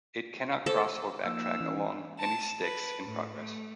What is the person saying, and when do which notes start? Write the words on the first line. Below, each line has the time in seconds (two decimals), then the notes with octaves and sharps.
It cannot cross or backtrack along any Stix in progress.
0.66 A4 C5
1.25 F3 A#3 D#4 E6
1.57 E3 C#4 F6
2.19 A5
2.60 B4
3.04 A2
3.37 A3